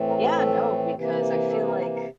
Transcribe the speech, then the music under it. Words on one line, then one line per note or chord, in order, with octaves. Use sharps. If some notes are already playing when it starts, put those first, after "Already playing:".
Yeah, no, because I feel like,
Already playing: A2 E3 A3 C4
A#4
G4
A4
C3 E3 A#3
A4
A#4
A#4
A#4